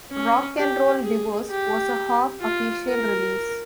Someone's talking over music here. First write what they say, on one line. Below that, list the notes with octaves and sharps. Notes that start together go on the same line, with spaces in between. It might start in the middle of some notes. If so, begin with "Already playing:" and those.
"Rock and Roll Divorce" was a half-official release.
C#4
G4
G#4
G4
F4
A#4